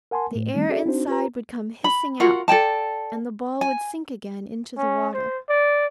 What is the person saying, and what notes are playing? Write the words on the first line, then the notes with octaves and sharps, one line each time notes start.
The air inside would come hissing out, and the ball would sink again into the water.
A#4 F#5 G#5 A5 C6
A2 A3
D#3 G3 A3 C4 C#4 D#4
C#4 F#4 G#4 A4 D5 E5
C4 D4 D#4 F#4 C5
F4 G4 B4 A#5
B5
F4 F#4 A#4 F#5
A4 D5 G5 A5
G#5
C#4
C5
D5